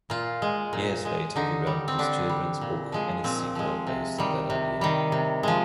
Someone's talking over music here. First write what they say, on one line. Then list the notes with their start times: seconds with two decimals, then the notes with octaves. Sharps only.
Years later he wrote this children's book and its sequel based on that idea.
0.10 A#2 F4
0.42 G#3
0.73 A#2
1.05 G#3
1.36 D3 D#4
1.67 G3
1.88 C4
1.99 D3 D4
2.29 G3
2.61 A#2
2.92 F3 G#3
3.24 A#2 C4
3.55 F3 G#3
3.87 C3
4.18 D#3 G3
4.50 C3
4.81 D#3 G3
5.12 C3
5.43 F3 G#3